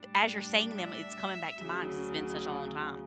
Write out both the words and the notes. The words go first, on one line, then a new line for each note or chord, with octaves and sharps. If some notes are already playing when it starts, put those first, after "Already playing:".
as you're saying them, it's coming back to mind 'cause it's been such a long time.
Already playing: A2 G3 D4
E5
D2 C#3 F#3